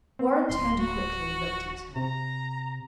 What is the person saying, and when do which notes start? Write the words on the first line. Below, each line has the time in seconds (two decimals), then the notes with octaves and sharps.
Warren turned quickly and looked at her.
0.19 C4
0.49 D1 C6
0.79 F#4
1.96 C3 A#5